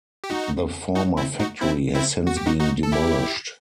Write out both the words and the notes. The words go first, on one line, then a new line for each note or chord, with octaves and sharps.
The former factory has since been demolished.
G4
D#4 F#4
D#4 F#4
C4 E4
D#4 F#4
C4 E4
C4 E4
F#4
G4
D#4 F#4
D#4 F#4
A4
E4 G4